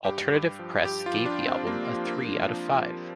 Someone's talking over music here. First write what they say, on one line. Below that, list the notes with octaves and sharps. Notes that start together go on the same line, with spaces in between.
"Alternative Press" gave the album a three out of five.
G2 G4
G2
F3
G2 G4
F4
F3
D4
F3
C4
F3 A#3
F3
A#3
F3
F3
F3